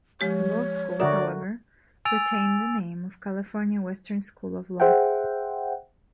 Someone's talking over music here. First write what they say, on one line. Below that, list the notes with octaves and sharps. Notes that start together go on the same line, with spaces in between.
The law school, however, retained the name of California Western School of Law.
F3 G#3 G4 C#5
D3 F#4 A#4 D5 E5 D#6
G#5 E6 A6 D7 F7
G#4 C5 E5 F#5 G5